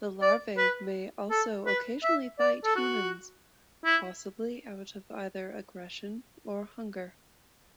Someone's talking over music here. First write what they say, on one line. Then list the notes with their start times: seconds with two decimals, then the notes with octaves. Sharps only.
The larvae may also occasionally bite humans, possibly out of either aggression or hunger.
0.21 D5
0.57 B4
1.31 A4
1.66 B4
2.03 E5
2.39 D5
2.64 A4
2.76 F#4
3.85 E4